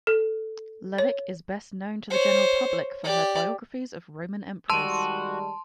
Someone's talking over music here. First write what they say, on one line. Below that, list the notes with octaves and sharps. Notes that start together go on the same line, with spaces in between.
Levick is best known to the general public for her biographies of Roman emperors.
A4
C#5
C5 C#5
G4 D5
D#3 G3 G#3 F#4 A5 C6 E6 D#7